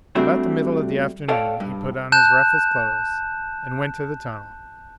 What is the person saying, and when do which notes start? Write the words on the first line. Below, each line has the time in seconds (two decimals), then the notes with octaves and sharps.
About the middle of the afternoon he put on his roughest clothes and went to the tunnel.
0.15 G3 A3 C4 D4 F#4 G4
1.28 A4 C#5 D5 F5 G5 A5
1.60 G2
2.12 A5 F#6 G6 E7